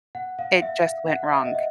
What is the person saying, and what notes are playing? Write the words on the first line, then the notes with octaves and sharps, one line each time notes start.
it just went wrong,
F#5
F5
F5
E5
F5
F#5
E5
D#5
E5